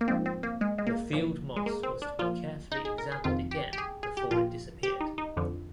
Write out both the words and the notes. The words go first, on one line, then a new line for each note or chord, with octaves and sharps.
The field moss was to be carefully examined again before it disappeared.
A#3
G#2 F3 C4
C4
A#3
G#3
G#3
A#3
A#2 F3
G#3
A#3
C4
D4
A#2 F3 F4
D#4
G#4
A#4
G#4
F2 C3 D#3 F4
G4
G4
G#4
G#4
G4
A#2 F3 F4
G4
D#4
D#4
F2 D3 F3